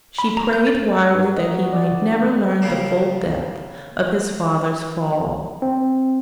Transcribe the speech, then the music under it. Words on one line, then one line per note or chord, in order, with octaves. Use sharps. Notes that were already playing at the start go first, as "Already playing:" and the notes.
She prayed wildly that he might never learn the full depth of his father's fall.
B5
A#5
G6
A6
A#4
D#5
F#4
D5
D3
C#3 G3 A#3 D4
C4